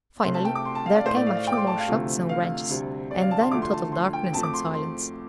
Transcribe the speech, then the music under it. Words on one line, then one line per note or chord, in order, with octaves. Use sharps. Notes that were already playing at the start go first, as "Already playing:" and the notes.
Finally there came a few more shocks and wrenches, and then total darkness and silence.
C2 C3 A3 C6
A5
G5
D6
C6
A5
F5
D5
A2 A3 C5
D5
F5
F5
G5
D6
C6
A5
F5
D2 C3 F3 A3
F5
D2 C3 G3
D5
F5
A5
C6
D2 D3 F3 A3 D6
C6
A5
C6
G5
F2 F3 A3 A5
D6
C6
C6